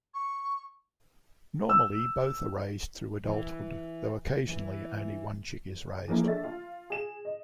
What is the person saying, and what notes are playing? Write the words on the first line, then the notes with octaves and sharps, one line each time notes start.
Normally, both are raised through adulthood, though occasionally only one chick is raised.
C#6
E6
E3
E3
E3 F3 A#3 E4
A3 D4 E5 A6
F4 F5
G#4 E7
D#5